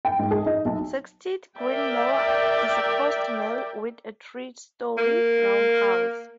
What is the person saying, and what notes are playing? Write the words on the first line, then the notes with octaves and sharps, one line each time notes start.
"Saxtead Green Mill" is a post mill with a three storey roundhouse.
G5
G#2
G#4
D#4
B1
A#4 D5 E5 G5
A#3